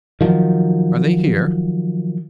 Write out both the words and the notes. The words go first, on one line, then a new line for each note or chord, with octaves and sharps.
"Are they here?"
D#3 F3 F#3